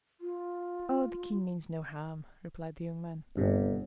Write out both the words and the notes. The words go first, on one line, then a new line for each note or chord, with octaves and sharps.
"Oh! the king means no harm," replied the young man.
F4
G1 G2 C3